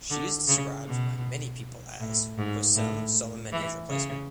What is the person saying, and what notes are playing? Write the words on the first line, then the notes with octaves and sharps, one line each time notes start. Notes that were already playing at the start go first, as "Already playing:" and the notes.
She is described by many people as "Qasem Soleimani’s replacement".
D3
C#3
B2
A2
G#2
A2
E3
C#3